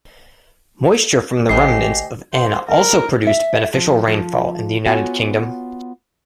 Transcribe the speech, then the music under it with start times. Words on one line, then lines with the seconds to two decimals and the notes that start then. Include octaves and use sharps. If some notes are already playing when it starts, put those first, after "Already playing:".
Moisture from the remnants of Ana also produced beneficial rainfall in the United Kingdom.
1.49 A1 D2 G4 D#5 G#5 C7
2.33 C5
2.68 A#4
3.27 E5
3.74 F3
4.07 F3
4.86 B3 F4 F#4 C#5 F#5 G#5